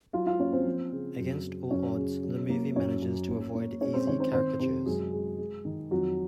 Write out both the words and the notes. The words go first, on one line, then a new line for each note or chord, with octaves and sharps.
Against all odds, the movie manages to avoid easy caricatures.
F#3 F4 F5
F4 F5
A#3 C#4 C#5
C4 C5
F3
C#3
F#2
C#3
F#2 C#4 C#5
C#3
F#3
A#3
F#2 C#4 C#5
F#2
A#3
A#3
G#3 C#4 C#5
C4 C5
D#3 C#4 C#5
C4 C5
D#3 C4 C5
C3 C4 C5
F#2 G#3 G#4
G#3
G#3
D#3
F2 F#3 F#4